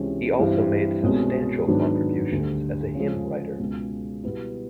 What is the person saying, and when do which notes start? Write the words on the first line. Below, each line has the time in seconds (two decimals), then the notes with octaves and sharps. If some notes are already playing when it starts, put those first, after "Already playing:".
He also made substantial contributions as a hymn writer.
Already playing: C#2 C3 E3 G#3 C#4
0.39 G2 E3 G3 C4 E4
1.03 C2 B2 G#3 C#4
1.67 G#2 D#3 F#3 B3 D4
2.32 D2 D3 G3
2.95 C#3 F3 G#3
3.59 C#2 B2 G#3
4.24 B2 G3 B3 E4